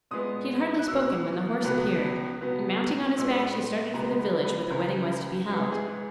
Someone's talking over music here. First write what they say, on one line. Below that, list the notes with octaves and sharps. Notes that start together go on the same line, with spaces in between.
She had hardly spoken when the horse appeared, and mounting on his back she started for the village where the wedding was to be held.
A#2 G#3 B3 D#6
F#6
B2 A#3 E6
C#2 B2 F#3 B3 F#6
C#2 B2 F#3 B3
A#2 G#3 B3 E6
C#2 B2 G#3 B3 A#5
B4
B4
C#2 C#3 E3 A#4
G#2 E3 G#3
G#4